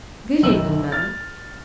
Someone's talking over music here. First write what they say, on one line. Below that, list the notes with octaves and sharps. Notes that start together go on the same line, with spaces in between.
'Good evening, Mother.'
F#1 B1 D#3 B4 E6 F#7
F6 A6